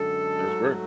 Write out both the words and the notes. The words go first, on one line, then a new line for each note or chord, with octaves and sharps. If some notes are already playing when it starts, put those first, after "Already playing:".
that's great.
Already playing: F#2 D3 G#3 A4
G#2 F#3 A3